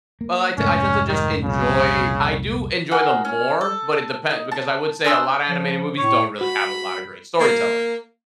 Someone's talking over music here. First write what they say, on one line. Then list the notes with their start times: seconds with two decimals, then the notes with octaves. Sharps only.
Well, I te I tend to just enjoy I do enjoy them more, but it depends, because I would say a lotta animated movies don't really have a lotta great storytelling;
0.21 A#3
0.58 F1 G#2 A3 C#4
1.07 D#3
1.44 C2 F2 A#2 C#3
2.91 F#4 G#4 A#4 F#5
3.25 C#4
3.61 A4
4.31 D#4
4.52 A5
5.04 D4 G#4 C5 E6
5.49 F3
5.98 A2 C#5
6.41 F#4 B5
7.40 A#3